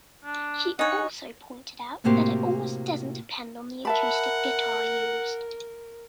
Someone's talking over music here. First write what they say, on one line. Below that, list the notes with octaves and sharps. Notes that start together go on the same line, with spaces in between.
She also pointed out that it almost doesn't depend on the acoustic guitar used.
D4
D4 D#4 C#5 D#5 F#5 G#5
A2 C3 A#3 F#4 G4 C5
A#4 E5 F#5 A5 B5